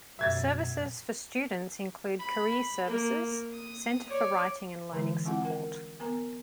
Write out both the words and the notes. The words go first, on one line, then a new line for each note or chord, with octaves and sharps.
Services for students include Career Services, Center for Writing and Learning Support.
F#2 B2 E5 G#6 A6
B5
A#3 A#4
D#6
C#5 D5
D3 E3 G#3 E4
G#3 C4 E4 F4 F#5
A#4 G5
B3 A#4 G#5 A#5